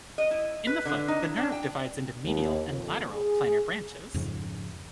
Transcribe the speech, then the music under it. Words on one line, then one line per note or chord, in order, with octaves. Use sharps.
In the foot, the nerve divides into medial and lateral plantar branches.
D#5
E4
B4
D3
D#4
E4
D4
G5
D#2
F2
G#4
F2 G#2 C#3 F3